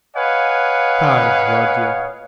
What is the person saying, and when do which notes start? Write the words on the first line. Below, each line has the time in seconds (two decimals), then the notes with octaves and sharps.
"Pride, Rodya."
0.16 B4 C#5 D#5 F5 F#5 G#5